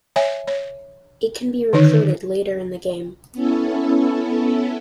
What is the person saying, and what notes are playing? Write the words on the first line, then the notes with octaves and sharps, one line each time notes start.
It can be recruited later in the game.
C#5 E5 G#5
C#5
D3 D#3 D#4 C#5
B3 C#4 E4 A4